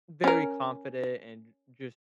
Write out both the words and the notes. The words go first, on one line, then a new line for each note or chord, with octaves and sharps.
very confident and j just
C#4 A#4